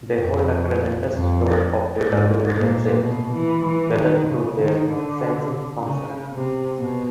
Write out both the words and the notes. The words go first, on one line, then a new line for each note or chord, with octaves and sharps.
They hold a tremendous store of data within themselves, gathered through their Sensing function.
F2
F2
G#2
A#2
B2
E3
E3
D#3
C#3
D#3
D3
C#3
C3
B2